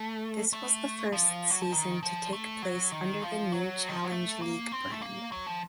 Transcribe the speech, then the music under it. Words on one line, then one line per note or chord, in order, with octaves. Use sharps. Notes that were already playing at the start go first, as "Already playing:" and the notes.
This was the first season to take place under the new Challenge League brand.
Already playing: A3
A3
F3
F#3
F3
D#3
F3
A3
F#3
D#3
F3
F#3
D#3
F3
F#3
A3
A#3
C4
A3
A#3
F#3
F3